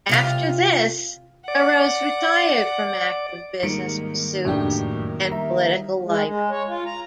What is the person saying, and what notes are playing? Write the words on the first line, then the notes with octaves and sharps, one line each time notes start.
After this, Burrows retired from active business pursuits and political life.
C3 F4 F5
D5 F#5
G#2 D#3 G3 A#3 C#7 D7
F1 F#2 A2 F#3 D4 G4
G3 E5 A#5
G#3
G#3
C#5
F4
A#5